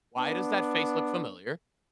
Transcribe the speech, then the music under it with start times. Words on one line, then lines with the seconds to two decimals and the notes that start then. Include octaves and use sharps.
"Why does that face look familiar?"
0.18 B3 D4